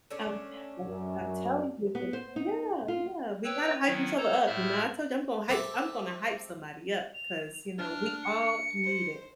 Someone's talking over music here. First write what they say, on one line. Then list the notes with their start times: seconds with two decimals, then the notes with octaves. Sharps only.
I'm like, I'm telling you yeah, yeah. We gotta hype each other up, you know, I told you I'm gonna hype s I'm gonna hype somebody up 'cause, you know, we all need it.
0.11 A3 C#4 D4
0.88 F#2
1.95 B3
2.13 C5
2.36 D#4
2.88 F4
3.44 B4 C#5 G5 E6
3.86 D#3 F#3 B3 E4
4.17 A4 C5 C#5 A#5
4.47 A2 C5 E5 B5 F6 F#6
5.48 C4 A4 E5 D6
7.14 F7
7.78 D4 F6
8.23 C#7
8.84 C5